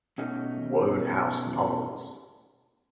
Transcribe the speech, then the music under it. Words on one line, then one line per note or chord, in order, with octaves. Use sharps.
Wodehouse novels.
B2 A3 C#4 D#4